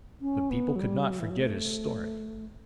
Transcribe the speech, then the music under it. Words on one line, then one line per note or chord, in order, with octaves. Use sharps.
But people could not forget his story.
C#4
B3
F#3
G3
F#3
E3
F#3
A3